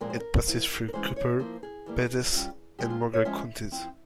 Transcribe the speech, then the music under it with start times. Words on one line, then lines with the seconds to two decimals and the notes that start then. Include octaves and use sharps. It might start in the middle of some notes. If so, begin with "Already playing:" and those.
It passes through Cooper, Pettis, and Morgan counties.
0.01 A#2 F3 G#3 C4 A#4
0.10 C5
0.20 A#4
0.47 F3 C4 E4
0.88 A#4
0.93 E3 G#3 C#4 C5
1.16 C#5
1.39 F3 A#3 E4 C5
1.63 G#4
1.86 E3 G3 A#3
2.33 G3 C#4 F4
2.79 F3 G#3 C4 G4
2.90 F4
3.13 C#5
3.25 F3 G#3 C#4 F4 E5
3.71 F3 C4 E4